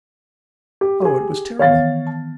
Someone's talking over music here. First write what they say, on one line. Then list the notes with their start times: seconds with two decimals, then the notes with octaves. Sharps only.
Oh, it was terrible!
0.81 G4
1.02 G4 G#4
1.59 D#3 E3 B3 C#5 F5 A6
2.07 A5